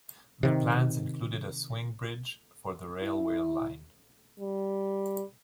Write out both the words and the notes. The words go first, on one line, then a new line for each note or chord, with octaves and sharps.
The plans included a swing bridge for the railway line.
C3 D#3
E4
G3